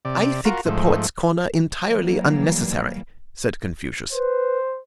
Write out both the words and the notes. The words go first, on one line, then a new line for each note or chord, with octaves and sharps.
"I think the Poets' Corner entirely unnecessary," said Confucius.
C3 D5
F4 F#4 A#4
G#2 F3 A3
E3 F#3 G3 A#3
B4 C5